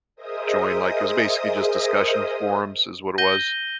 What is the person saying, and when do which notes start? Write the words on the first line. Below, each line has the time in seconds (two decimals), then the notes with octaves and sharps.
join, like, it was basically just discussion forums, is what it was.
0.16 G#4 A#4 C5 D#5 E5 D#6
3.18 G6 A#6 D#7 G7